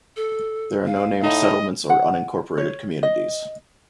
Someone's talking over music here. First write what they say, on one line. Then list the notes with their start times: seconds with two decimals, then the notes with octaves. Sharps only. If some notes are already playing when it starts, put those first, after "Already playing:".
There are no named settlements or unincorporated communities.
0.17 A4
0.86 F5
1.23 A2 D#4 D#5
1.90 F#5
2.58 C#5
3.03 D#5